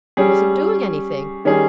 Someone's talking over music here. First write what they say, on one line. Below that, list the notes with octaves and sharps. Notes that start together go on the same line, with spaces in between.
"I wasn't doing anything."
G3 C#4 G#4
D#3 G3 C#4 G#4